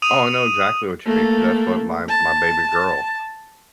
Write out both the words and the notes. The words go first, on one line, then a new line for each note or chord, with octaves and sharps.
Oh, I know exactly what you mean, 'cause that's what my my baby girl,
D#6 D#7 F7
A3 A#3
A5